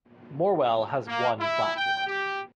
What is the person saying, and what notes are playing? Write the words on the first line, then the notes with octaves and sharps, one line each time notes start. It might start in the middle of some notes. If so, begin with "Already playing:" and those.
Morwell has one platform.
A#3
E4
G5
G4